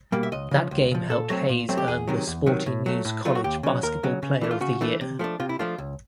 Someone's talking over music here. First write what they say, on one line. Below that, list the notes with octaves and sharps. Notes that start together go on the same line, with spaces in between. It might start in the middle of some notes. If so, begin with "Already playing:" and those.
That game helped Hayes earn "The Sporting News" College Basketball Player of the Year.
B2 G3 A#3
E5
C#2 D#5
C#3 F3
C#2
C#3 F3
A#2 A4
F#3 A3 C4
A#2
F#3 A3 C4
G4
E2 G#4
C3 D#3 F#3
E2
C3 D#3 F#3
A2
F#3 A3
A2
F#3 A3 F4
F#4
D#2 G4
C#3 F#3
D#2 A#4
C#3 F#3
C#3
E3 A3 D4
F4
C#3 F#4
E3 A3 D4
C3
F3 A3 D4
C3 F4
E4
F3 A3 D4 F4
C#2